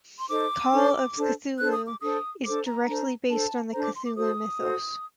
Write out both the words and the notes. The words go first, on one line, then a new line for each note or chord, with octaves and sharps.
"Call of Cthulhu" is directly based on the Cthulhu Mythos.
C6
D#4 A4 C5 D6
D4 A4 C5
D4 A4 C5
D4 A4 C5 F#6
D#6
D6
D4 A4 C5 D#6
D4 A4 C5 D6
A#5
D4 A4 C5
D4 A4 C5 A5
D4 A4 C5 A#5
D6
C6
D6
F#4 A4 C5 D#6
F#4 A4 C5